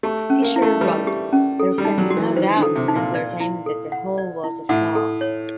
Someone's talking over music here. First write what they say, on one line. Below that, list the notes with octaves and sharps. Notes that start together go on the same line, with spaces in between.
Fisher wrote: "There can be no doubt entertained that the whole was a fraud.".
A3 G4
C#4
A#3
E4
A3
G3 B4
G4
C#4
A4
G3
D#4
F#3
F#4
E3
D#3 C5
D3
A4
C3
D#4
A#2
D5
E4
A4
F#5
D5
E4
A2 F#5
A4
C#5